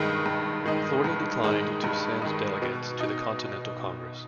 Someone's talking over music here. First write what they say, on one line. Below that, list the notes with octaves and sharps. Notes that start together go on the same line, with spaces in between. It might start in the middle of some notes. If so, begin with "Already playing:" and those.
Florida declined to send delegates to the Continental Congress.
Already playing: G2 D#3 G#3 D#4
G2
D#3 G#3 D#4
G2
D#3 G#3 D#4
G2
D#3 G#3 D#4
B2
D#4